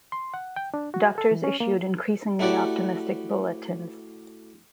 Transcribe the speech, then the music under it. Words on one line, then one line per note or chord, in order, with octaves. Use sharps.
Doctors issued increasingly optimistic bulletins.
C6
F#5
G5
D4
F#4
A4
E3
C#4
A#3
A3 E4 F#4 G4 D5